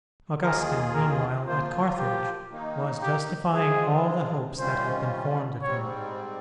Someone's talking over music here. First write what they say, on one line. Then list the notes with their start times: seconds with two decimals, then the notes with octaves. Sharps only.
Augustine, meanwhile, at Carthage, was justifying all the hopes that had been formed of him.
0.41 D#2 D#3 A#3 F4 G#4 A#4
0.93 A#4
1.46 F3 A#3 F4 C5
1.98 G4
2.50 D#3 A#3 D#4
3.02 G4
3.54 F3 G#3 C4 F4 G#4
4.58 C3 D#3 G3 C#4 F4 C5
5.62 G#2 G3 C4 C#5